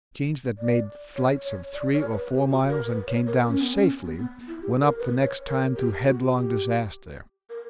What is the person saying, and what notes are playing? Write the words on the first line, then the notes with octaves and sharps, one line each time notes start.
Machines that made flights of three or four miles and came down safely, went up the next time to headlong disaster.
D5
C#5
C#5
D5
C#5
B4
G4
F#4
A#4
B4
C#5
A#4
C#4
B3
C#4
B3
B3
E4
G4
A#4
B4
C#5
A#4
G4
F#4
G4
A#4